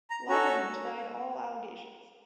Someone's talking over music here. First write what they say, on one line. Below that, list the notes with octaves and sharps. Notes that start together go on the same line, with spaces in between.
Lieberman denied all allegations.
A#5
C#4 F#4 A4 A#5